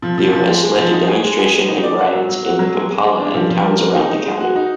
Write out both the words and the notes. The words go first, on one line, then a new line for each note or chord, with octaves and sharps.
The arrest led to demonstrations and riots in Kampala and towns around the country.
F3
F3
F3
G#3
G#3
F3
D#4
G#4
G#3
G#4
G#3
D#4
D5
F#4
F#3
F#3
F#4
F#3
G#3
G#3
G#3
D4
F3
F3
A#4
G#3
D#4
D#4
G#3
F#4
D#4